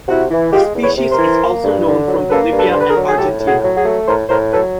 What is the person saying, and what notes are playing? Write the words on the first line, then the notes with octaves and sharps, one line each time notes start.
The species is also known from Bolivia and Argentina.
C3 E4 F#4
E3
G#3 F4 G4
E2
B4 C#5
C3
A#4 C5
E3
A#3
G2
D3
F#3
A#3 A4 B4
G2
A4 B4
D3 C5
B4
G#4 A#4
F#3
G#4
A2 G4 A4
A2
F#4 G#4
F#3
F#4 G#4
A3
A2 A#4 C5
A2 A#4 C5
F#3 A4 B4